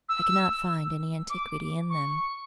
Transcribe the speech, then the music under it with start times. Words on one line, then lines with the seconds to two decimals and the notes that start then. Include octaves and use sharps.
I cannot find any antiquity in them.
0.09 E6
1.30 D6
1.90 C#6